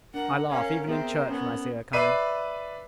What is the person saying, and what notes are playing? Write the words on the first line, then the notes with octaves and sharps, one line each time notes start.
I laugh, even in church, when I see her coming.
D4 A#4 F#5
C#4 A#4 C#5 F5
B3 C4 G#4 E5
B3 C#4 C#5
B4 D5 E5 C7 D#7